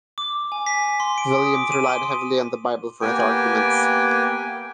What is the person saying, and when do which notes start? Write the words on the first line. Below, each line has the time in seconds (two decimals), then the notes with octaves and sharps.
Williams relied heavily on the Bible for his arguments.
0.18 D6
0.52 G#5
0.67 B6
1.00 C6
1.18 D7
1.38 D#6
1.54 D6
1.72 D#7
1.89 C6
3.02 A#3 B3 G4 G5 G#5